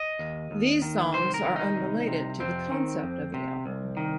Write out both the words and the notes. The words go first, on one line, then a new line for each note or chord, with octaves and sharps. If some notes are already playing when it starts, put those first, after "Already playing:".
These songs are unrelated to the concept of the album.
Already playing: D#5
D#2
D#2
D#3
C2 C5
A#4
D#3
D#4
C2
C3
F2 C4
D#3
F2
C3
C2
D#3